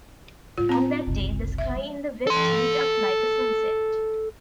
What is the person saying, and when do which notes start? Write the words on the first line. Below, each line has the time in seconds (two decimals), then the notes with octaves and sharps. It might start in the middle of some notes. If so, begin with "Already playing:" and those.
On that day, the sky in the west lit up like a sunset.
0.58 A2 G3 F4
0.69 C4 A#5
1.07 F#1 C2
1.58 E5
1.75 F3 G#3
2.27 A4 C6